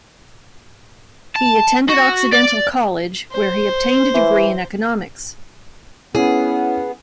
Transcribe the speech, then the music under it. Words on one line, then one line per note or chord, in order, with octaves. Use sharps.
He attended Occidental College, where he obtained a degree in Economics.
A5
F#4
D5
C5
E3
B3 C#4 E4 G#4 D#7